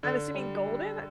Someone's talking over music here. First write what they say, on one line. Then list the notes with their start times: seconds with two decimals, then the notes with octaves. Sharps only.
I'm assuming Golden?
0.03 D3
0.34 G3
0.66 G3